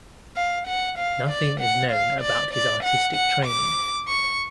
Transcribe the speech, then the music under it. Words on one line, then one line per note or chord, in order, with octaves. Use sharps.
Nothing is known about his artistic training.
F5
F#5
F5
D5
F#5
F5
D5
D5
F#5
F#5
D6
C#6